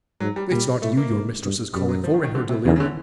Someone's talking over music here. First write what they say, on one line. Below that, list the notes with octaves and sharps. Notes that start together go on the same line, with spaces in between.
It's not you your mistress is calling for in her delirium.
G#2 F#3
G3
A#2 G3
A2 A3
A#3
G#2
G2
F#2 G3
F#3
F3
D#3
D#3
D3
C3
E2 C#3
C#3
D3